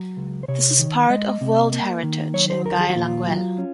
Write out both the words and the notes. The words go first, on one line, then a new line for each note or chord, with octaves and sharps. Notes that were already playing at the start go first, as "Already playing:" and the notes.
This is part of World Heritage in Gaelanguel.
Already playing: F#3
C#2
C5
C3 C#5
D#3
G#3 D#5
C3
A#3
D#3
F#3 C#5
C5
D#2 A#4
G#4
F#4
A#2 F4
F#3
C#4